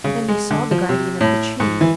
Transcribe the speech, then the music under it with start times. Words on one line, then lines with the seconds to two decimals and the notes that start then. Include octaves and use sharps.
Then he saw the guardian of the tree.
0.04 C#3
0.28 G#3
0.51 D3
0.71 F3
0.89 C3
1.21 A2
1.60 G#2
1.81 E3